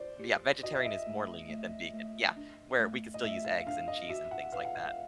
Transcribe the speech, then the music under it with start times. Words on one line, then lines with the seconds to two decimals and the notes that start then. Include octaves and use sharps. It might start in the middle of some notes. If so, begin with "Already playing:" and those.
m Yeah, vegetarian is more lenient than vegan, yeah, where we could still use eggs and cheese and things like that.
Already playing: C5 D5
0.19 G4
0.63 F#4 D#5
0.74 E5
0.85 D#5
1.07 A3
1.49 A3
1.94 A3
2.37 D4
2.80 A3
3.14 D#5
3.23 A3 E5
3.44 F5
3.66 D4 F5
3.88 D#5
4.09 F#4 E5
4.31 F#5
4.52 B4 F5
4.65 F#5
4.75 F5